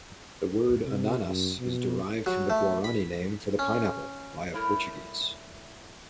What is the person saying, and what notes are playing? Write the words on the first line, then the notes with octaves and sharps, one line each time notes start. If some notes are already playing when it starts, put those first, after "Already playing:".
The word "Ananas" is derived from the Guarani name for the pineapple, via Portuguese.
C3
F#2
B2
F#3
A3
B5
C#4
G3 A3 E4 A#4 C#5